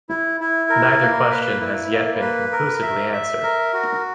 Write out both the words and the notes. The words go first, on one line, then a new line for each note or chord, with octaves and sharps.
Neither question has yet been conclusively answered.
E4
E4
A#4
A#3
B4
E4
A#3
B4
A#4
E5
E5
A#4
F#4